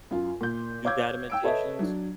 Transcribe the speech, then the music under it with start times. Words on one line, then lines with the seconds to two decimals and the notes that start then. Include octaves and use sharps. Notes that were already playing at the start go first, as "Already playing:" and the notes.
do guided meditations.
0.11 F#2 F4
0.41 A#2 G6
0.85 C#5 F5 D6 E6 G6 G#6
1.30 G5 E6 D7
1.43 A4 B4 C#5 D#5 E5
1.79 F#3 D4